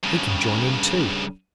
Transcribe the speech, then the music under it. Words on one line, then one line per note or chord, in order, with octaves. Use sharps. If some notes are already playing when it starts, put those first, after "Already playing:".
He can join in too.
G2 C#3